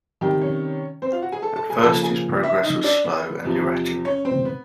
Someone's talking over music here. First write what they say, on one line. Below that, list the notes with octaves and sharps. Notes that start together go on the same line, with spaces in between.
At first his progress was slow and erratic.
C3 D#3 G3 G4 G5
C#4 C#5
C4 C5
F4 F5
F#4 F#5
G#4 G#5
A4 A5
A4 A5
G#4 G#5
C#3 F3 A#3 A4 A5
G#4 G#5
E4 E5
D#4 D#5
D4 D5
B3 B4
E2 C3 F3
C#4 C#5
C4 C5
B3 B4